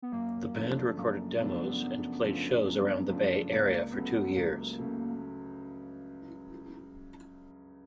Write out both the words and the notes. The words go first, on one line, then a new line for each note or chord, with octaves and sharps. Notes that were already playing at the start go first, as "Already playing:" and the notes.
The band recorded demos and played shows around the Bay area for two years.
B3
F#2 A#3
C#3 F3 A3 D4
F#2 A#3
C#3 F3 A3 B3 D4
F#2
C#3 F3 A3 D4
F#2
C#3 F3 A3 D4
C#2 A#3
B3
A#3
C#3 F#3 A3 B3
C#2 A#3
C#3 F#3 A3